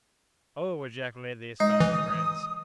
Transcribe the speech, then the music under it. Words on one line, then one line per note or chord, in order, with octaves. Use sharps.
"Oh!" ejaculated the astonished friends.
G#3 D#4 D#6
E3